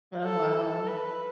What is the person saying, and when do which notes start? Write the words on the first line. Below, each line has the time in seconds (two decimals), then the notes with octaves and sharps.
Oh, wow.
0.24 A4
0.56 A4
0.87 B4